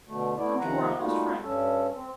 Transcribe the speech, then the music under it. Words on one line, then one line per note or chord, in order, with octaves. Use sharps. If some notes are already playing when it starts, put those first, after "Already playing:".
Come to our honest friend.'
B2 D3 A3
A3 B3 E4 D5
C3 D#3 F3 F#5 A#5
G3 A3 A#3 D#4 F4 F#4
G2 C#4 A4
C4